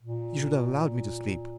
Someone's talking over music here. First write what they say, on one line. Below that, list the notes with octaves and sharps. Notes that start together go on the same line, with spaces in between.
You should have allowed me to sleep.
A#2